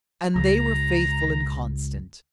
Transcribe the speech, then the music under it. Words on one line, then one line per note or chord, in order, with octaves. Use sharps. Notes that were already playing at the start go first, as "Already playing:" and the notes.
And they were faithful and constant.
C#2 A#5